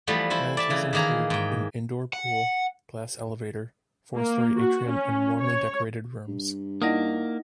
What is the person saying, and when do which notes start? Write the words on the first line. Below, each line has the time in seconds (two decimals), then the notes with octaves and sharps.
Amenities included an indoor pool, glass elevator, four-storey atrium and warmly decorated rooms.
0.07 E3 F3 G3 A3 B3
0.30 E4 A4 C5
0.57 D5 E5 A5
0.70 C#3 E3
0.93 D#3 E3 A#3 G#4 A#5
1.30 G#2 G5
2.13 F#5
4.16 A#3
4.56 F#4
4.89 C#4
5.40 C#5
6.28 G2
6.82 A#3 D#4 E4 D5 D#5 F#5 A#6